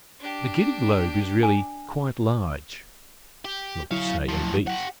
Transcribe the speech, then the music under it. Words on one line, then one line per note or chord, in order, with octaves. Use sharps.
The Giddy Globe is really quite large, not to say obese.
D4 G4
G#5
G4
F#3 E4 C#5 F5
A2 F3
G4 F#5